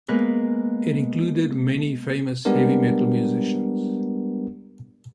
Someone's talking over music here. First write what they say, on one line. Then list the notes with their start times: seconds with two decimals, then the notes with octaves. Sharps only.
It included many famous heavy metal musicians.
0.08 G#3 A#3 B3 A#4 B4
2.45 G3 G#3 B3 D4 G4 A#4